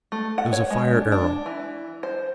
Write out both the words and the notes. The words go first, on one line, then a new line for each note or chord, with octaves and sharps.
It was a fire-arrow.
A3
F#5
C#5
G#3
D4
D4
E3
C5